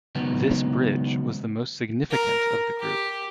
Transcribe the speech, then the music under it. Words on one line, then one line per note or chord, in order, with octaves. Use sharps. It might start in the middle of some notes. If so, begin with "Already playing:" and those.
This bridge was the most significant of the group.
C#2 D#3 F#3 B3
A#4
G4